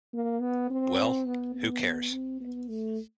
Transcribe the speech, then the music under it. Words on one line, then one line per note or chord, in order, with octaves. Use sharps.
Well, who cares?
A#3
B3
C4
B3
B3
C4
B3
A3